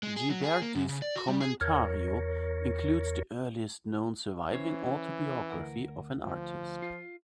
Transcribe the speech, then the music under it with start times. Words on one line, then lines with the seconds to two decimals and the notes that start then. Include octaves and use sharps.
Ghiberti's "Commentario" includes the earliest known surviving autobiography of an artist.
0.03 G#3
0.16 G#4
0.30 F#3
0.44 G#4
0.62 A#3
0.75 F#2
0.89 C#3
1.02 D5
1.16 F#4
1.28 G3
1.40 G#4
1.61 E2 A#4 C#5
4.53 E3 C#4 C5 C#5
5.50 D2 A#4 F#5
6.24 F3
6.82 F4